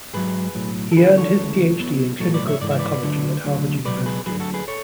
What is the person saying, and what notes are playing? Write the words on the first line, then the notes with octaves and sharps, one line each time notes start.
He earned his Ph.D. in clinical psychology at Harvard University.
G#2 F#3 G#4 B4
B1 A2 F#3
A4
D2 D3 F#3 G#4 B4
A4 C#5
D2 C#3 E3
B1 B2 F#3
B1 A2 F#3 A4 C#5
B4 D5
C#5 E5
G#2 E3 D5
E5
B4 D5
D2 D3 F#3
D2 D3 F#3
C#2 B2 F#3 B4 D5
G#4 B4
D2 D3 F#3 G#4 B4
F#4 A4
G#4 B4
A4 C#5